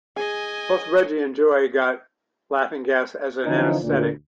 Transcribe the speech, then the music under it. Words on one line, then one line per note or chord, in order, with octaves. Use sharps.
Both Reggie and Joey get laughing gas as anaesthetic.
G#4 D#5 G#5
D3 E3 F3 C#4 D#4
D2 A#2